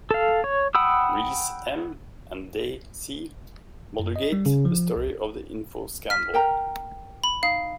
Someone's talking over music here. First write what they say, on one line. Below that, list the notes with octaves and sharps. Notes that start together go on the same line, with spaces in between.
Rees, M and Day, C. Muldergate: The story of the info scandal.
A4 F5
C#5
F#5 G5 B5 D#6 E6
F#2
D#5
G3
C#3
F3
C2
F6 B6
A#4 G5 A#5
B5
D#4 F5